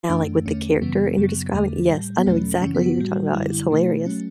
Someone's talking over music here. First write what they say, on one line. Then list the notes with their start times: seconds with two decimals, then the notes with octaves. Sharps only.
like with the character and you're describing, yes, I know exactly who you're talking about, it's hilarious.
0.09 F#2 E3 A3 D4
0.46 E2 D3 A3 C#4
0.81 F#2 C#3 E3 G3 B3
1.18 F#2 C#3 F#3
1.54 E2 D3 A3
1.90 A2 G3
2.18 B3
2.26 E2 B2 F#3 A3 C#4
2.62 F#2 C#3 E3 C#4
2.75 B3
2.86 F#4
2.98 A2 G3
3.34 F#2 D3 G3 E4
3.70 B2 A3
4.06 F#3 A3 C#4